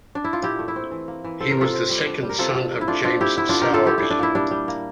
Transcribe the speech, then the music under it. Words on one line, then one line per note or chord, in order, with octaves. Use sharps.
He was the second son of James Sowerby.
D4
E4
F4
A#2 E4 G4
A3
E4
C4
E3
A#3
E3
C4 A4
A#4
C3 F4 A4
C4
G3
D4
G3
A#4
C3 F4 A4
C3
A#3
E4
A3 D4 F4
C4 D4 F4
A3 E4 G4
D3 E4
D3 D4 F4
G4 A#4
D3 F4 A4
A3 E4 G4
D4 E4
D4
A#2 E4
G3 D4
G3
A#3